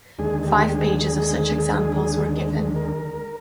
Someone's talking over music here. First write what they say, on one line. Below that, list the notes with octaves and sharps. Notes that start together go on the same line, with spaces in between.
Five pages of such examples were given.
D#2 D3 G#3 G#4
G4
G#4
G#4
A#4